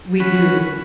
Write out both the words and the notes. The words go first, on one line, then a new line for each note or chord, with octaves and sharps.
We do.
C#4 F#4 B5